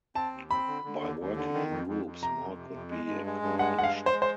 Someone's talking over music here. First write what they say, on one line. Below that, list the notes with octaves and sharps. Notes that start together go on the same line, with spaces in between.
By working in groups more could be accomplished.
C4 A5
D#2
C4 B5
D3
D3
D#2
D#2
D3
D#3
F2
F2
F2
C3 A#5
F2
C3
F2
G#3
G2
G#3
G2
G#3 F#5
G2 F#5
F5
G#3
C5
G#3
C5